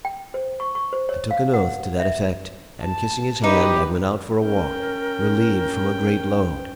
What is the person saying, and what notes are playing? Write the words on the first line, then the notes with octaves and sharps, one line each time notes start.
I took an oath to that effect, and kissing his hand, I went out for a walk, relieved from a great load.
G5
C5
C#6
C#6
C5
C#5
F5
F#5
E5
A5
D#4 G4 B4
C#4 A#4 G5